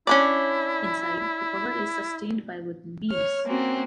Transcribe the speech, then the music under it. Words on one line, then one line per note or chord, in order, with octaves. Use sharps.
Inside, the cover is sustained by wooden beams.
C#4 D4 E4 D5
C#5 F6
A#3 C4 C#4 F#4